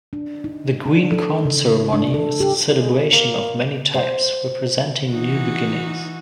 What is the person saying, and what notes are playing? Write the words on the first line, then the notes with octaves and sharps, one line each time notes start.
The Green Corn Ceremony is a celebration of many types, representing new beginnings.
D4
D#4
D4
A4
C#3
D4
A4
G4
E2
G#3
A#3
C5
E3 D#4 F#4